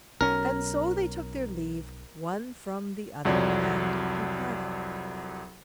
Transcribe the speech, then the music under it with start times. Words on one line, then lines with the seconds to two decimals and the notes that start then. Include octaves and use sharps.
And so they took their leave one from the other and departed.
0.21 B1 C#4 A#4
3.25 C2 F2 F#3 D5